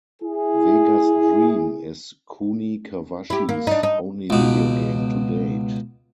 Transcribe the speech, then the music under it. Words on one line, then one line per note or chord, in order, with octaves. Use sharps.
Vegas Dream is Kuni Kawachi's only video game to date.
E4 G#4
E4 G4
A#3
D4 D#4
D#4
C#2 B2